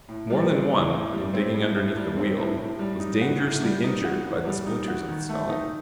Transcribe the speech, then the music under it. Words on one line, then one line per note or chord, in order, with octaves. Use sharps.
More than one, in digging underneath the wheel, was dangerously injured by the splinters of stone.
A2
G3
C4
A2
A2
G3
C4
A2
A2
G3
C4
A2
A2
G3
D#4
F#4
A2
G3
D#4
F#4
A2
G3
D#4
F#4
D#3
A3
D#4